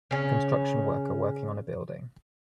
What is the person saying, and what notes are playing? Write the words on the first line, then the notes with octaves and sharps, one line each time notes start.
A construction worker working on a building.
C#3 C#4